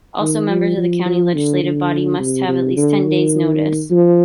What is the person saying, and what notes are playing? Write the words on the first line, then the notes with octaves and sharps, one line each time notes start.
Also, members of the county legislative body must have at least ten days notice.
D#3
F3
F3
F3
D3
D3
C3
C3
D3
D#3
F3